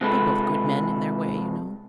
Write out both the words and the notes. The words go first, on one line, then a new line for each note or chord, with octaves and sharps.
"They're both good, men in their way, you know."
C3 G#3 F4 A4 B4